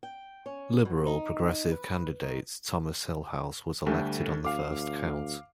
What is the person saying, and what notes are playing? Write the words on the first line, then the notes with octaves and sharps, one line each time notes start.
Liberal-Progressive candidate Thomas Hillhouse was elected on the first count.
G5
C#4
B2
D#4
B4
D#3
D2 G3 A3
D2 F5 D6